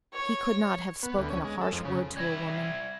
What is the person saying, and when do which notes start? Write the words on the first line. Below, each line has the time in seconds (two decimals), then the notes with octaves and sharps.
He could not have spoken a harsh word to a woman.
0.13 C#5
1.03 B3
1.18 D2
1.30 C#4
1.44 G#3
1.61 A4
1.72 F2
1.85 C#3
2.17 G3 E4 G#6 A#6